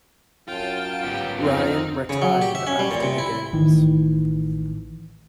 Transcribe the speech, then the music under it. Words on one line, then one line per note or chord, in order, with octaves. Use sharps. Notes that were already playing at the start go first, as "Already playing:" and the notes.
Ryan retired after the games.
F#2 F4 G5 A5
B3 F4 G4
F2 C4 D#4 F6
C#3
F#3
G4
E5
C#4
G3
A#2
C3
E4
A1 D#3 E3